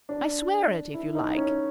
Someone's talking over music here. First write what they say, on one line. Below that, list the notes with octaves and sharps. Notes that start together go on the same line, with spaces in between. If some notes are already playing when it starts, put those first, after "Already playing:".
I swear it, if you like.
D4
E4
D#4
C#4